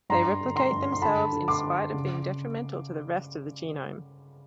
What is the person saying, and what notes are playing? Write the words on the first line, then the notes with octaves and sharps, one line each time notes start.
They replicate themselves in spite of being detrimental to the rest of the genome.
G2 A#5 C6
D3
A#5 C6
G2
C6
D3 A5 B5
D3
C6 D6
D3
C#3